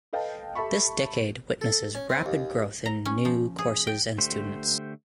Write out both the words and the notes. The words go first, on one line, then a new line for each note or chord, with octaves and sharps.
This decade witnesses rapid growth in new courses and students.
A4 B4 D#5 F5 G5 A5
G4 A4 E5 A5 B5 C#6
A4
C#4
C4
D#2
A#5
C#4
F3
G#4
G5
D3 A3 G4 C5